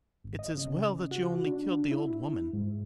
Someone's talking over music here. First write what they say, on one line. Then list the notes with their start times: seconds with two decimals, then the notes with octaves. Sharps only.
It's as well that you only killed the old woman.
0.24 G#1
0.39 D#5
0.58 C#3
1.11 F#4
1.47 D4
1.91 E4
2.53 G#2